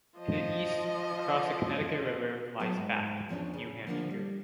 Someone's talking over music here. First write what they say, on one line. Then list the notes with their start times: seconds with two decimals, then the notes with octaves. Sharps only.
To the east, across the Connecticut River lies Bath, New Hampshire.
0.18 F3 D#5
2.60 F#3 B3 A4
2.78 G#2
3.29 E2 F3 C#4 D4
3.54 C#3
3.87 D3 F3 A#3 B3 D4
4.11 G3